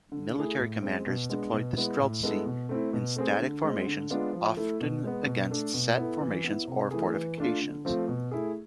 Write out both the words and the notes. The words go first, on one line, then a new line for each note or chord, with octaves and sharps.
Military commanders deployed the streltsy in static formations, often against set formations or fortifications.
D3
A3 E4 G#4
A2
G#3 C4
B2
G#3 B3 D4
B2
G#3 B3 E4
A2
G#3 B3 E4 A4
B2
A3 C4 E4
B2
A3 C4 G#4
D3
G#3 C4
D3
G#3 B3 D4 F4
F3
A3 E4 A4
B2
G#3 B3
B2
A3 D4 A4
B2
B3 E4 A4
E3
B3 E4
C3
E3 A3 E4 G#4
E3
A3 D4 F4
D3
F3 A3 C4 F4
B2
A3 E4 G#4